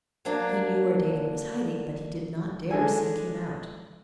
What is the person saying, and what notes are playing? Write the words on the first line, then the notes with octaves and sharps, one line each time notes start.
He knew where David was hiding, but he did not dare seek him out.
F#3 A#3 D4
G#3 D4 A4 G#5